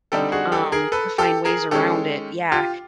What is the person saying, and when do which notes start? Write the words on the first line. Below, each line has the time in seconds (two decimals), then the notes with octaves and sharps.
um, to find ways around it. Yeah.
0.12 D3 G3 C4 D#4 G4 A4
0.32 F#4 G#4
0.52 G4 A4
0.72 G#4 A#4
0.92 A4 B4
1.18 G4 A4
1.45 G#4 A#4
1.71 D#3 G#3 C#4 G4 A4
2.52 F4 G4